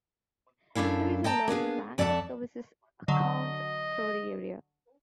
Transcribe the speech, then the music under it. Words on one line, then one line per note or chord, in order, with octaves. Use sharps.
There is a local bank that services accounts through the area.
F#2 A3 D4 E4 F5
D#5 G5 A5 A#5
A#3 B3 D4 G#4
F2 D5 E5 F#5 G#5 A5
D3 F#3 D#5